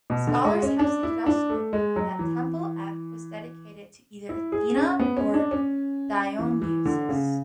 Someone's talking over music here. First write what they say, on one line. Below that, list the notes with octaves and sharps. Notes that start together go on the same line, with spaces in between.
Scholars have suggested that Temple F was dedicated to either Athena or Dionysus.
B2
D3
G#3
C#4
D4
E4
D4
A3
G#3
F#3
E3
E4
G#4
C#4
B3
C#4
D4
C#4
E3
E3
D3
C#3